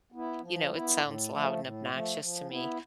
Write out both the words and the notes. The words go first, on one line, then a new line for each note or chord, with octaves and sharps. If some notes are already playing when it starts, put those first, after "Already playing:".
you know, it sounds loud and obnoxious to me,
B3 E4
F3
B3 E4
A2
F3 A3
A2
F3 A3
F3
B3 E4